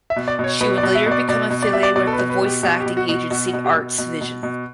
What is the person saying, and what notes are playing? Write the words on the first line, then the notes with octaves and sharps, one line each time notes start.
She would later become affiliated with the voice acting agency Arts Vision.
E5
B2
D5
B2
C#5
B2 B4
D5
B2
E5
B2
D5
B2 D5
B2
D5
B2 E5
D5
B2 D5
A4
B4
B2
B4
B2 G4
B2 G4
G4
B2
F#4
B2
F#4
B2 F#4
F#4
B2
G4
B2
B2
B2
B2